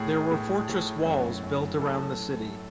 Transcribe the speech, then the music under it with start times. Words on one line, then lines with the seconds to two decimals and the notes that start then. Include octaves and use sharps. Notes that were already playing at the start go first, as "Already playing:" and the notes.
There were fortress walls built around the city.
Already playing: A2 A3 G#4
0.32 A2
0.69 A2
1.06 F#2
1.44 F#2
1.81 F#2 A4